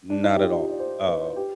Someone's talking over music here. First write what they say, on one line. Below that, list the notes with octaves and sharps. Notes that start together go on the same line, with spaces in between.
Not at all, um
D4
D#4
G4
F4
G4
D5
C5
B4
G4